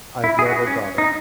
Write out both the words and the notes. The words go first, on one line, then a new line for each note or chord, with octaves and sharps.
I’ve never got it.
E4
G#4
F#4
C#4
D#4